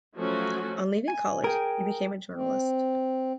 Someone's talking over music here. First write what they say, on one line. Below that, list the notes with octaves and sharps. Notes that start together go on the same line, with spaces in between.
On leaving college, he became a journalist.
F3 F#3 A3 C#4 F#4
G#5
G#4 A#4 G5
C4